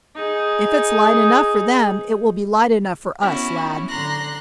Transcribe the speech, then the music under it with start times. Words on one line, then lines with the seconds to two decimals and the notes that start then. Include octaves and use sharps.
If it's light enough for them, it will be light enough for us, lad.
0.15 D#4 G#4
3.22 B3 C#4 E4 F#4
3.88 D3 A#5 C6 F#6 A#6